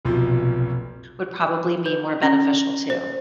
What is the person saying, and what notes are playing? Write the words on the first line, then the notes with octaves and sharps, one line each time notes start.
would probably be more beneficial too.
F1 B1 A#2 F3
B4
C#4
C5